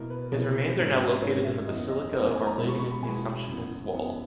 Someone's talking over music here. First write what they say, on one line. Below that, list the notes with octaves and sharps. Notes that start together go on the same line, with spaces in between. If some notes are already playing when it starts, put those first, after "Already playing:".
His remains are now located in the Basilica of Our Lady of the Assumption in Zwolle.
Already playing: B2 A#3 E4 A#4
B4
B2 A#3 E4 C#5
G#2 D#3 A#3 C#4
G#2 D#3 A#3 C#4 C#5
E5
F#2 E3 B3 D#5
D#5
F#2 E3 B3 D#5
G#5
A#5
B2 G#3 B3 E4 B5
C#6
C#6
B5
B2 G#3 B3 E4 G#5
F#2 E3 B3
F#2 E3 B3